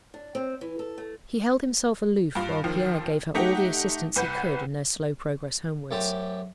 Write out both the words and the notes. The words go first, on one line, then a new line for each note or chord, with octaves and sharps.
He held himself aloof while Pierre gave her all the assistance he could in their slow progress homewards.
D4
C4
E3
A4
A3
G2 F4
D#2 D#3 F3
A3 D#4 G4 F#5
C2 B4 F#5 G6
F#2 A3 G4 C5